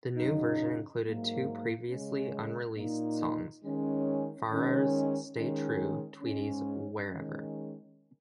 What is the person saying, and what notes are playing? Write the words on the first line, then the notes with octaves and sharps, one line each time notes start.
The new version included two previously unreleased songs: Farrar's "Stay True", Tweedy's "Wherever".
F#2 C#3 F#3 D#4
G#2 F#3 A#3
C#3 G#3 C#4
A#2 A#3 D#4
D#3 G#3 C#4
D#3 G#3 C#4
D#3 G#3 C#4
G#2 G#3 C#4
D#3 G#3 C#4